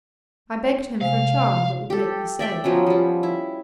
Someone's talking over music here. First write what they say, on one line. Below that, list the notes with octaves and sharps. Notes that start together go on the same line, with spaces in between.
I begged him for a charm that would make me safe.
C3 G#3 F5
G4 A4
D5 E5 G5
F3 F#3 B3 C#4
F3 G3
E4